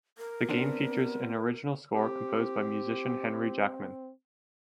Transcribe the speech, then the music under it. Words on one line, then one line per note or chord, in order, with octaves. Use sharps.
The game features an original score composed by musician Henry Jackman.
A#4
B3 C4 D4
C4 G4